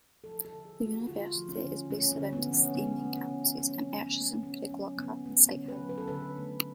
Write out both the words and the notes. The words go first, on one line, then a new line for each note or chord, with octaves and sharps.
The university is based around its three main campuses at Merchiston, Craiglockhart and Sighthill.
F3 A4
A4
D3
G#4
A3
F#4
D3 F4
F3
C#4
D3
A3 C#4
C#4
D3
B3
F3
C#4
D3 B3
A3
C#4
D3
F#3 C#4
D3
B3
A3
D3 C#4
F#3 C#4
D3 B3
A3 B3
C#4
D3
B4
F#3
B4
A4
D3 B4
A3